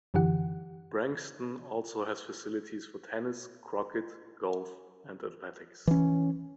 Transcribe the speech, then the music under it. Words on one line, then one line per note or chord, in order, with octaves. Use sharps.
Branxton also has facilities for tennis, croquet, golf and athletics.
F#2 D3 E3 G4 F#5
E3 C#4